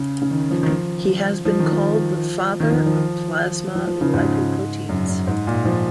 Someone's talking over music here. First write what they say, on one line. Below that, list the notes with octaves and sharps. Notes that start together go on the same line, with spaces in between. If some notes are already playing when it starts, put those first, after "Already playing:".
He has been called the father of plasma lipoproteins.
Already playing: C#3
C#3
D#3
F3
D#3
F3
F3
D#3
F3
D#3
F3
D#3
F3
F3
F3
C#3
G#2
F#2
F#2
G#2
A#2
F3